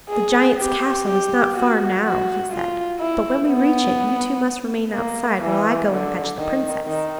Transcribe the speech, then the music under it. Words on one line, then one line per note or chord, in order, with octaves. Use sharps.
'The giant's castle is not far now,' he said, 'but when we reach it you two must remain outside while I go and fetch the princess.
G#4
G4
G4
F#4
F#4
F4
E4
B3
A#3
E3
D3
D#3
D#3